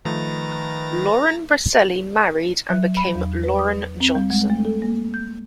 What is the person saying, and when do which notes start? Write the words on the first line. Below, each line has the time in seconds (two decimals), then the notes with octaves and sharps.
Lauren Roselli married and became Lauren Johnson.
0.05 D#3 F3 A3 B4 A#5 A6 A#6
2.70 F#3
2.97 B5
3.15 E2
3.44 B4
3.59 D#6
4.00 C4
4.15 G3
4.30 G#3
4.50 A3
4.65 A4
4.82 A#3
5.14 G6